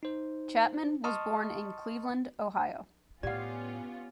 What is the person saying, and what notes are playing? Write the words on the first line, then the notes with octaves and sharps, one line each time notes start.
Chapman was born in Cleveland, Ohio.
D#4 C5
D#5 A5 C6 C#6 D#6 F6
A2 B3 C#4 F4 G4 D5 F5 F#5